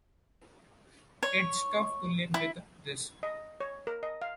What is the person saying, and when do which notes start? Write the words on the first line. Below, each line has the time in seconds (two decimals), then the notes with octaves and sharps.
It's tough to live with this.
1.23 C#5
2.34 E4
3.23 D#5
3.60 C#5
3.87 A#4
4.03 D#5
4.22 F5